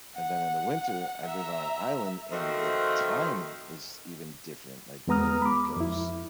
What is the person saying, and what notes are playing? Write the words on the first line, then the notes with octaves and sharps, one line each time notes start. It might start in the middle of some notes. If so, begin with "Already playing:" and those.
and then in the winter I live on an island and the time is even different, like, the it goes,
F#5
E5 A#5
D#3 F3 A3 C4 F#4 D#5
E2 G#3 B3 A#5 D#6 F6
B5 D6
F2 E4